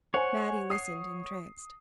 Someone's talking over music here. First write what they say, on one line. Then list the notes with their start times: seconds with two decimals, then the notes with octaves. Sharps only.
Mattie listened entranced.
0.14 C5 C#5 F#5 G#5
0.70 D#6 C7